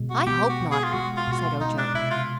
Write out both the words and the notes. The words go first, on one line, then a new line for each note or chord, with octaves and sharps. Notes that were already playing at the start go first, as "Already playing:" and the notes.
"I hope not," said Ojo.
Already playing: B2 G#3
F#4
B3 G4
F#4
B2
G#4
F4
G#3 F#4
F4
B2 F#4
F4
G#3 D#4
D4
C3 E4
F4